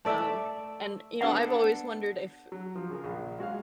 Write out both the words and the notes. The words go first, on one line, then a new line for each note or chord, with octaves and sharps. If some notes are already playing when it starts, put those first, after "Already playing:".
um, and you know, I've always wondered if
A3 D5 E5
B3 D4 A4 F#5
F#3
F3
C#3 G#4 A#4
A#1
G#3 F#4 C#5 F5